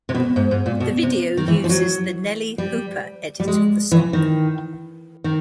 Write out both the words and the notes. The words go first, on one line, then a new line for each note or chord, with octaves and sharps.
The video uses the Nellee Hooper edit of the song.
C3
B2
G#2
G#2
A#2
B2
C3
D#3
E3
F3
F#3
G3
G3
G#3
E3
D#3
D#3